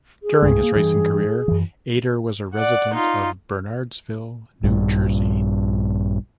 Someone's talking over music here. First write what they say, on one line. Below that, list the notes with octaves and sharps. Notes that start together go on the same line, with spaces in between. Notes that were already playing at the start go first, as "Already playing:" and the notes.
During his racing career, Ader was a resident of Bernardsville, New Jersey.
G#4
C2 G2 G#3
A#3
G2 E3
F#2 E3
D5 F#5
D#4 F4
A#1 G2